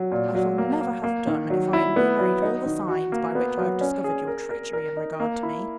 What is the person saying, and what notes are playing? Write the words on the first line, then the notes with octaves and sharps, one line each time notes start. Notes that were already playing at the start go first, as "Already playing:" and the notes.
I shall never have done if I enumerate all the signs by which I have discovered your treachery in regard to me.
Already playing: F#3
A#2
F#3
A#3
A#3
A#3
D#3
F#3
E4
B3
F#3
D#4
D#3
F#4
A#3
B3
F#3
C#4
G#4
A#4
A#4
A#4
D#4
A#3
E4